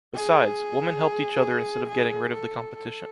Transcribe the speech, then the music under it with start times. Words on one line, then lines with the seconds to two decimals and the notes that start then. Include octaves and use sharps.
Besides, women helped each other instead of getting rid of the competition.
0.15 G#4
1.89 G#4
2.33 A4
2.76 A4